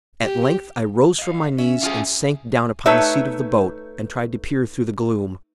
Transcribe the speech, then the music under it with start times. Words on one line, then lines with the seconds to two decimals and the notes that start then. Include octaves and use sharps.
At length I rose from my knees and sank down upon the seat of the boat, and tried to peer through the gloom.
0.23 G4
1.19 D#5 F5
1.58 C#4 E5
1.83 F4 G#4
2.86 A3 D#4 B4 C#5 E5